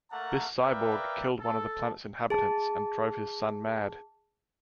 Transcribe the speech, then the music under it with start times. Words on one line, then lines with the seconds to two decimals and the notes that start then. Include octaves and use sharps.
This cyborg killed one of the planet's inhabitants and drove his son mad.
0.12 A3 A#3 A#4 F#5 A5 A#5
0.62 A#4 B4 D5 E5 F5 G5
1.40 A4
2.30 G#4 A5